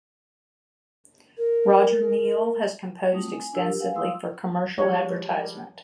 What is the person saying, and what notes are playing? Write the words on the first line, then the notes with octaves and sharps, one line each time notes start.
Roger Neill has composed extensively for commercial advertisement.
A#4
G3 A3 C4 E4 F4 D#6
G#5
D4 F4 A#4 E6
G4
A4 B4 F5 F#5 G#5
G#3 C5 F5 C6 D#6 E6
F3 G3 G#3 C#5